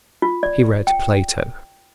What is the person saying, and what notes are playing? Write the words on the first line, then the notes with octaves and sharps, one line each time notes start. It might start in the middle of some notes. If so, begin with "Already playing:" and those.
He read Plato.
F4
D5
G5